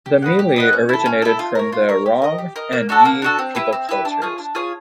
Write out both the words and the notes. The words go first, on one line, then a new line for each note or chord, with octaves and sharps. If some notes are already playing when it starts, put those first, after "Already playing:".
The mili originated from the Rong and Yi people cultures.
G4
B4 D#5 F#5
G4
B4 D#5 F#5
C#4
E4 A4
C#4
E4 A4
F4
A#4 C#5
F4
A#4 C#5
G4
A#4 D#5
G4
A#4 D#5
A#3
D4 F#4 A4
A#3
D4 F#4 A4
C4
E4 G4 B4
C4
E4 G4 B4
D4
F4 G#4 C#5
D4
F4 G#4 C#5